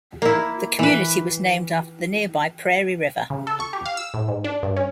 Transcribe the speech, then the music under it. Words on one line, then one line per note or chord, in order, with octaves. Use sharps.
The community was named after the nearby Prairie River.
A#3 E4
E3 B4
C#3
A4
C#6
G4
F5
E6
A2
G#2
D4
G2
C#4